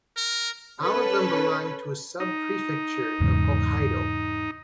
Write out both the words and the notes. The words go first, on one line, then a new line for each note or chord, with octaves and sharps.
All of them belong to a subprefecture of Hokkaido.
A#4
C#4 A4 B4
D#4
E2 G#2 C#3